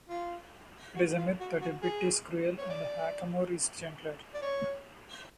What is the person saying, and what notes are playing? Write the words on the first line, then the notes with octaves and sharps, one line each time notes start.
It is a myth that a bit is cruel and a hackamore is gentler.
F4
F#4
F4
F#4
F#4
G#4
C#5
D5
D5
C#5